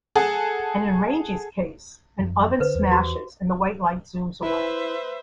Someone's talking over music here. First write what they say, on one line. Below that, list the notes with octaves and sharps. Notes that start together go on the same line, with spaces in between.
And in Rangy's case, an oven smashes and the white light zooms away.
G#4 A4 F#5 A5
F#2 F3
D3 B4 C5
E2
F#4 G4
E4 B4 C5 E5